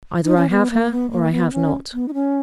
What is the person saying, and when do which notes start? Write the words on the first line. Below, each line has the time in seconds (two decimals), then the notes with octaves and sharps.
Either I have her, or I have not.
0.24 D#4
0.37 C#4
0.49 B3
0.71 A#3
0.92 B3
1.11 A#3
1.32 B3
1.53 C#4
1.94 B3
2.08 D#4
2.14 C#4